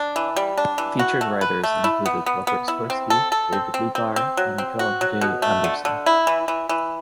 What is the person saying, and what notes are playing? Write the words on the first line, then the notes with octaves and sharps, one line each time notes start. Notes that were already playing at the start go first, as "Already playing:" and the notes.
Featured writers included Robert Swirsky, David Lubar, and John J. Anderson.
Already playing: D4
E3
G3
D4
E3
F#4
A3
B4
A3
E4
B3
B3
B3
E4
C4
A4
A4
C4
C4
C4
C4
F#3
C4
F#4
F#3
B2
A3
D3
D3
E4
E3
E3
E3